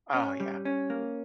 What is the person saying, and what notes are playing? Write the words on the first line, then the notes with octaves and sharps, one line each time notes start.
Oh, yeah.
C#4
G3
C#4
A#3